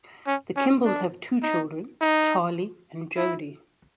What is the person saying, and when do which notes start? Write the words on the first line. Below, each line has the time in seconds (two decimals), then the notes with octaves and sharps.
The Kimbles have two children, Charlie and Jody.
0.27 C#4
0.56 C#4
0.85 D4
1.43 D#4
2.01 D#4
3.17 E4